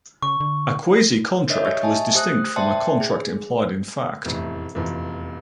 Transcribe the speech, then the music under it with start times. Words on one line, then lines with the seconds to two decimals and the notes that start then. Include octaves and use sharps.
A quasi-contract was distinct from a contract implied in fact.
0.23 C#3 C#6
0.40 D3
1.49 D4 A#4 C#5 D#5 E5 G6
1.65 G4 C#6
1.82 D#5 E5 G#5 A5
2.13 A3 G4 C5 D#6 F#6
2.56 C5 D5 E5 G5 A5 C6
3.00 G#4
4.25 F1 E2 A2
4.75 F1 E2 A#2